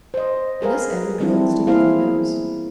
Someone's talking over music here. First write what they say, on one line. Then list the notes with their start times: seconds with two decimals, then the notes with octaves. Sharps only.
And this every girl instinctively knows.
0.14 C5 D#5
0.62 G#4 A#4 B4 F5
1.20 E3 G3 C4 D4 E4
1.67 A#3 B3 E4 G#4 C5 F5